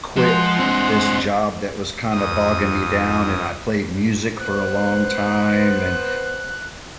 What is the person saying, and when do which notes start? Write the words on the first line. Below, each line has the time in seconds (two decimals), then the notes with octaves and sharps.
quit this job that was kinda bogging me down, and I played music for a long time, and
0.16 F3 G#3 F#5 C6
0.59 C4 D4
2.12 F2 D#6
4.40 B3 B4 C5 F#6